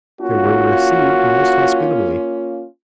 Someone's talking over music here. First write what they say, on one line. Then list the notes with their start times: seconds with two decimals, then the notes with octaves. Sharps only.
They were received most hospitably.
0.21 A#3 C#4 F4 F#4